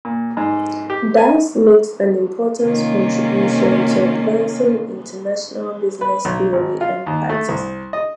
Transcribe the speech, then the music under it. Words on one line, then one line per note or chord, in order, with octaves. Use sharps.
Thus makes an important contribution to advancing international business theory and practice.
A#2
G#2
G4
G#5
C3 D#3 A#3 C#4 F4
B4
B1
G#1
F4
D#2
A3
C2
D#5